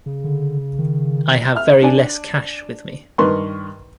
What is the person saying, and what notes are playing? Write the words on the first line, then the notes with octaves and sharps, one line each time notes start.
I have very less cash with me.
C#3
D3
D#3
E5 F6
D4 D5 G#5
G2 D#3 A#4 B4 C6 C#6